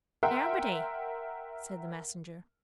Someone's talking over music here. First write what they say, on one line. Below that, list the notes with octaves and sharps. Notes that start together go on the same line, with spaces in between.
'Nobody,' said the Messenger.
A#4 E5 F#5 G5 C6